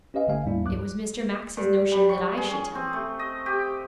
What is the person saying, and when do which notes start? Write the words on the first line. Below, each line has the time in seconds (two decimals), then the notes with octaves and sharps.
'It was Mr. Max's notion that I should tell you.'
0.14 C#4 G4 B4 D#5 F5 G#5
0.27 G1 D3 A3 F5 G#5
0.44 E2 A2 G3 A#3 D4 E4
0.63 C#2 G2 F#3 D6 F#6
1.57 G2
1.92 G3
2.09 C#6
2.37 G#4
2.51 C#4
2.75 C4
2.93 A3
3.19 D#5
3.46 G4